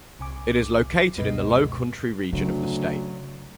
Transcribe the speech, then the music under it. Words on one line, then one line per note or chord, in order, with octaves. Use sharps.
It is located in the Lowcountry region of the state.
C2 C3 G#5 D6
C#2 F#2 B2 G#3 B4 D#5
D2 C#3 F#3